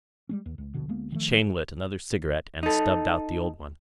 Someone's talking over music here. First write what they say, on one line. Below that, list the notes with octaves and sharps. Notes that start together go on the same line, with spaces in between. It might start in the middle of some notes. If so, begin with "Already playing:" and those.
He chain-lit another cigarette and stubbed out the old one.
G3 G#3 C#4
D#2
C#2
D#1 A#1 B2 D3
D2 G#3 A#3 B3
D#3 F3 A3
D#4 A4